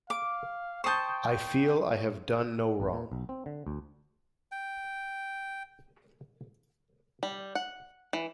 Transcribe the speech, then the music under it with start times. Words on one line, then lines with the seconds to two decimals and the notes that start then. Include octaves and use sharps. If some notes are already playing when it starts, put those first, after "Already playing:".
I feel I have done no wrong.
0.10 F5 D6
0.84 C5 G5 A5 C#6 D#6 G6
2.80 A1
2.93 A#2
3.12 B1
3.29 C4
3.46 D3
3.67 D2
4.52 G5
7.23 G3
7.55 F#5
8.13 E3